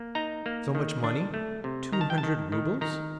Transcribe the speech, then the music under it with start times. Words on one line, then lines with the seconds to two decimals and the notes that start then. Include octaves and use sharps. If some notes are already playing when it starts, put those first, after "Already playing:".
So much money--two hundred roubles!
Already playing: A#3
0.15 D#4 A#5
0.46 A#3
0.75 D#3
1.04 D4
1.34 A3
1.64 C3
1.93 D#3 A#5
2.01 A5
2.10 G5
2.18 A5
2.23 D#3
2.52 D#3
2.81 D#3 A#5